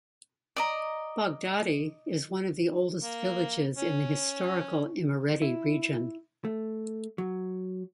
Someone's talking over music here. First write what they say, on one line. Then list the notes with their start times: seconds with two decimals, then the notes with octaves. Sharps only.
Baghdati is one of the oldest villages in the historical Imereti region.
0.56 D5 D#5 A#5
3.01 A#3
3.75 C#4
5.42 E4
6.45 A3
7.18 F#3